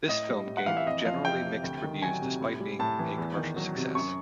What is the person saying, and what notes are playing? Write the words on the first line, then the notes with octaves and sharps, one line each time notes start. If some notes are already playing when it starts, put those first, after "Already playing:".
This film gained generally mixed reviews despite being a commercial success.
A2 D#5
G3
A2
F#5
E3 F5
E5
F2 D#5
F3 F5
F2 G5
C3
D2
D#3
F#3 G#5
C3
A2
G3
A2 A5
E3
E2
D#3
F#3
C3
F#2 C#6